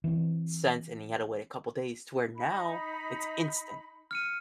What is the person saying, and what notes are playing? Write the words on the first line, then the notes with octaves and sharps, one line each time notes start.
sent and you had to wait a couple days to where now it's instant.
E3 C4
D#4 B5
F6 C#7 D#7